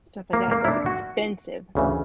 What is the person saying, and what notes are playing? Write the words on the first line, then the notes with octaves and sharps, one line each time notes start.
stuff like that, that's expensive.
A#3
A#3
E4
D4
F#4
D2 C#3 E3